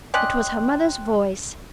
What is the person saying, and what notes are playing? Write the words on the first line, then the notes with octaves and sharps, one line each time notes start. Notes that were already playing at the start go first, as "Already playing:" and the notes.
It was her mother's voice.
C#4 D5 D#5 G5 C6 F#6